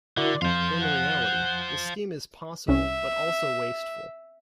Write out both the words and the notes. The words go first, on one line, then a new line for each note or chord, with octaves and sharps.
In reality this scheme is possible, but also wasteful.
D3 E4 F#4 A#4 D5
F2 F3 F4 C5 F5
F#5
C2 C#4 E5